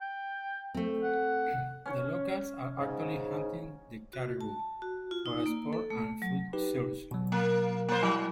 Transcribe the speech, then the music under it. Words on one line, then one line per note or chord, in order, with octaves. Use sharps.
The locals were actually hunting the caribou, for a sport and a food source.
G5
A3 C4
F#5
C#4 C#5
G#2 C#3
F#4
A5
F#4
F4
D#4
A#3
A4
A3
F#3
D#4 G4 B4
B2 F#3
A#3
A#3 C5
F#3 E4 B5